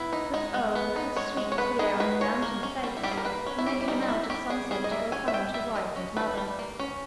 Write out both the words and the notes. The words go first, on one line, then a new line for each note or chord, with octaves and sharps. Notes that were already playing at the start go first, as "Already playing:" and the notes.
But oh, how sweet was the air on the mountain face when they came out at sunset to go home to wife and mother!
Already playing: B3 E4
D#4
G#3 D#4
G#3
B3
D#4
G#3 C#5
G#3
C#5
B3 B4
D#4 G#4
G#3 B4
G#3 C#5
A#3
C#4
G3
E4
G3 G4
G#4
A#4
A#3 B4
C#4
E4
G3 G4
E4
G3 D#4
D#4
A#3 E4
E4
C#4 G4
G3 G#4
G3 G#4
D#5
A#3 E5
C#4 G#5
E5
G3 G5
G3 E5
A#3 D#5
C#4
G3 B4
G3
A#3
C#4